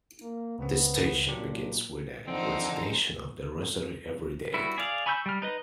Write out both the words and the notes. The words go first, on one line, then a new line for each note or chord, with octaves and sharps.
The station begins with a recitation of the rosary every day.
A#3
C#2 C#3 B3 C4
A#2 F#3 D4 G4
E2 D3 F3 C4 D#4 C5
G3 B3 E4 F#4
G#4 D5 F5
G#5 B5 C#6 E6 G6
G3 F6
D#4 B4 D#5